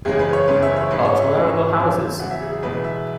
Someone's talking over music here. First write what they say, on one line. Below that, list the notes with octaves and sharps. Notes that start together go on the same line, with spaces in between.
But where are the houses?
F#1 E2 C#3 G#3 C#4 G#4
B4
C#5
F#1 E2 C#3 G#3 C#4 B4
E5
C#5
G#1 G#2 G#3 C#4 B4
C#5
E5
G#1 G#2 G#3 C#4
E2 C#3 F#3
E2 C#3 F#3 F#5
E5
G#4
G#4
E2 B2 G#3 B4
E5